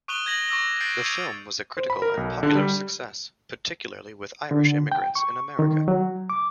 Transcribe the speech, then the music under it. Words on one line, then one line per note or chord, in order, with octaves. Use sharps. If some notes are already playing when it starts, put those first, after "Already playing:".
The film was a critical and popular success, particularly with Irish immigrants in America.
C#6 D#6 F#6 D#7 F7 G7
G#6 A#6 F#7 G7
C#6 D6 E6 A#6
F#6 G6 A6 C7 D7
G#6 A6 C#7 D#7 F7
C5
B5
A#4
B1
D3
G3
D3
G5
C#6
D#3
F#3
D6